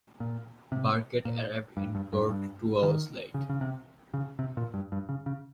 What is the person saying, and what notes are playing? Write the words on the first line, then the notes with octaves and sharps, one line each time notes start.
Birkett arrived in court two hours late.
A#2
C3
A#2
G2
G2
G2
G2
D#3
C#3
C#3
C3
C#3
C3
A#2
G2
G2
C#3
C#3